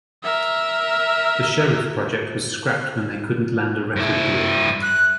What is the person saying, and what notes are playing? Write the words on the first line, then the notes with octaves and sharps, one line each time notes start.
The Sheriff project was scrapped when they couldn't land a record deal.
A#4 E5
G2 E4
F#6